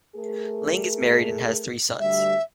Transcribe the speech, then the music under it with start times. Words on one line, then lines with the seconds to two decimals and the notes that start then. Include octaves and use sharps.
Ling is married and has three sons.
0.16 A3 G#4 A#4
1.99 D2 G3 E5